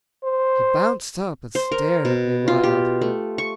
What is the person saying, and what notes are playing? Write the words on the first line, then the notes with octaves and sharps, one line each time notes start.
He bounced up and stared at me wild.
C5
C5
A#4
B2
F4
G4
A3
C#6